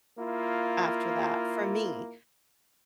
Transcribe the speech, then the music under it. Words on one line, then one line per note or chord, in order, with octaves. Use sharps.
after that, for me.
A#3 E4 F4